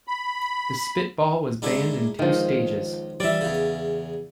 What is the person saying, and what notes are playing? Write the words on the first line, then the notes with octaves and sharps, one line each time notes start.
The spitball was banned in two stages.
B5
G#2 D4 E4
C#2 D#3 F3
E3 G3 D5 E5
E2 C#3